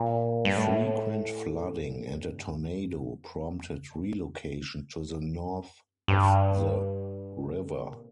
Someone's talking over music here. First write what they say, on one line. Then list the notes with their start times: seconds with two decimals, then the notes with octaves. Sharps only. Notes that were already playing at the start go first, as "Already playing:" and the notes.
Frequent flooding and a tornado prompted relocation to the north of the river.
Already playing: A#2
0.45 G2
0.57 A2
2.14 G2
2.93 F2
3.46 A#2
3.59 A2
3.72 G2
6.08 G2
7.65 D3
7.78 C3
7.90 A#2